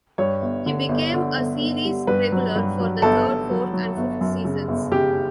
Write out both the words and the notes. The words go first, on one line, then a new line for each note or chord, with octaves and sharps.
He became a series regular for the third, fourth, and fifth seasons.
G2 C#5
G1
D3
G1
D3
G1
G1
G3
G2 B4
F#3
G2
F#3
G1 A4
G1
F#3
F#3
G1
F#2
C#3
G1
C#3 G4